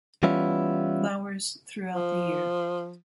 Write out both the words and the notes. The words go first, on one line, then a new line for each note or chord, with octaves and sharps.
Flowers throughout the year.
E3 G3 B3 C#4 E4 F4
F3